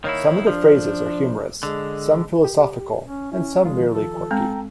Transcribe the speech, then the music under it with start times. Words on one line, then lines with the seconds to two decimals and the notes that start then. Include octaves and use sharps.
Some of the phrases are humorous, some philosophical, and some merely quirky.
0.04 D#3 A#3 E4 C#5
0.47 F3 D4
1.63 D3 G#3
2.44 G4
3.05 C#4
3.32 C#4 E4
3.65 D#3 F3 G#3 F4
3.92 A4
4.31 G#3 C4 G5 A#5